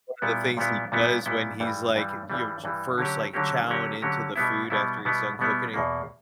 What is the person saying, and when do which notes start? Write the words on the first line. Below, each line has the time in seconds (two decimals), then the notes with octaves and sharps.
one of the things he does when he's, like, you ch first, like, chowing into the food after he's done cooking, he,
0.22 A#2 G3 B3 E4
0.57 A#2 G3 B3 E4
0.92 A#2 G3 B3 E4
1.26 A#2 G3 B3 E4
1.60 G2 E3 G3
1.95 G2 E3 G3
2.30 G2 E3 G3
2.64 G2 E3 G3
2.98 D3 F#3 A#3 C#4 G4
3.33 D3 F#3 A#3 C#4 G4
3.67 D3 F#3 A#3 C#4 G4
4.02 D3 F#3 A#3 C#4 G4
4.36 B2 G3 B3 E4
4.70 B2 G3 B3 E4
5.05 B2 G3 B3 E4
5.39 B2 G3 B3 E4
5.74 E2 B2 A#3